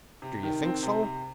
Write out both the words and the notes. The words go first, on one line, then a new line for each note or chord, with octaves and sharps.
"Do you think so?"
C3
D#3
C4
C3
C3